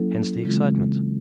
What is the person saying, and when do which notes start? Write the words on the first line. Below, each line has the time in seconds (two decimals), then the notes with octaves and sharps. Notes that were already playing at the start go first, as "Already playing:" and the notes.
Hence the excitement.
Already playing: F#3 A#3 C#4 E4 A4
0.44 C#3 E3 G#3 C4 F4